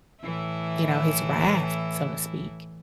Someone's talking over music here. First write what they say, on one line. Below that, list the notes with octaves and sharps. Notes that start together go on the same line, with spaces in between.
you know, his wrath, so to speak.
A2 E3 E4